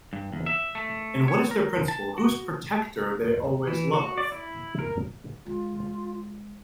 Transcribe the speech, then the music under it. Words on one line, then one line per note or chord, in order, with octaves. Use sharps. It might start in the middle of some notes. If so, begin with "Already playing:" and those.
And what is their principle, whose protector they always 'love'?
G2
E2
E5
A3
C#5
A#4
A5
F#4
E3
F#4
D5
E4
A#4
G#3 F4